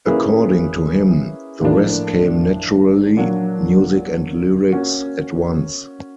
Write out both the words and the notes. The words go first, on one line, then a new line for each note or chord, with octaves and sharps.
According to him, "the rest came naturally, music and lyrics at once".
A#3 C#4 E4 G#4 B4
A2 F3 A#3 D4
A#2 F#3 A#3 D4
A#3 C#4 F#4